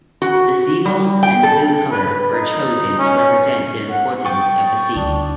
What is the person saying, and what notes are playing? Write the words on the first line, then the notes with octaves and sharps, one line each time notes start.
The seagulls and blue color were chosen to represent the importance of the sea.
F#4
G3
G5
A4
B4
D#4
C#4
F#5
G5 C#6 D#6 A6
D2 D4